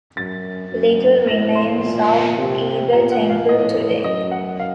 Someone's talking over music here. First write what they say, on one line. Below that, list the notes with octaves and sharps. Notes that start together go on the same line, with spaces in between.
Little remains of either temple today.
F#2 A6
F#2
A2 A#6
C6
A#2
C3
A#2 A#5
F#5
F5
A2 D#5
F#2 D#5
F#5
F5